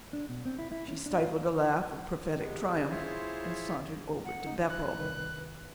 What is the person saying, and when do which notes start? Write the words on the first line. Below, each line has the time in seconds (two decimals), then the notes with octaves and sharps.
She stifled a laugh of prophetic triumph and sauntered over to Beppo.
0.13 D4
0.29 B2
0.46 C4
0.59 E4
0.72 E4
0.88 C#4
1.06 D4
1.19 F4
2.37 C3 G#3 B3
2.90 E4 F4 G#4 C5 C#5 E5
4.25 F#5
4.47 D#4
4.70 F#6
4.98 C2 D#3 B4